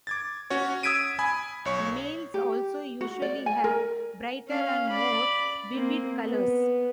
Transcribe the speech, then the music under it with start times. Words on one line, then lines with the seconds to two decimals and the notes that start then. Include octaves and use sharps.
Males also usually have brighter and more vivid colors.
0.07 D6 G#6 A6
0.50 C#4 F#4 C#5
0.83 D#6 E6 G#6 B6 D7 D#7
1.19 G#5 B5 D#6 G#6
1.65 B1 C#5 C#6
2.34 G4
3.01 F#4
3.22 D5
3.46 G#5
3.64 A#4
4.48 C#4 F5
4.90 D5 B5
5.74 A#3 C4
6.26 B3